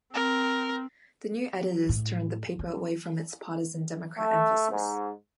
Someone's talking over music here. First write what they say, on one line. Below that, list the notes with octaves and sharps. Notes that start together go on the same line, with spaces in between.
The new editors turned the paper away from its partisan Democrat emphasis.
C4 A#4
A2
F#3
A3
G#2